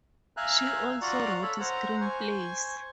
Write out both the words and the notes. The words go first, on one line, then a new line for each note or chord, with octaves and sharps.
She also wrote screenplays.
E5 F5 G#5 A#5 F#6
F4 F#4 D5 F#5 A#5 F#6
A4 C#5 B5
C5 F#5 A#5
C5 G#5 C#6